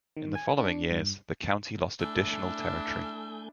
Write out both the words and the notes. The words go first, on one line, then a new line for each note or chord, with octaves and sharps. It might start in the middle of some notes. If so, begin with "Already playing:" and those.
In the following years, the county lost additional territory.
D#3
G#5
D4
G2
A3 D4 E4 G#5 E6 G6